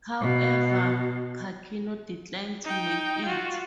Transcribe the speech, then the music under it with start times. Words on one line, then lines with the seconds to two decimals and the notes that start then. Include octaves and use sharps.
However Pacino declined to make it.
0.21 B2
2.65 D#4 G5
3.24 F4 F#4